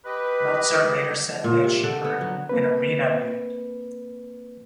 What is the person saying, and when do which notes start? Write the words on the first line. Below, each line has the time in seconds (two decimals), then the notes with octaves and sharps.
Meltzer later said that she heard "an arena band".
0.05 G4 B4 D#5
1.44 A#2
1.64 C3
1.84 D3
2.04 B3
2.21 F#3
2.49 A#3 C4 B4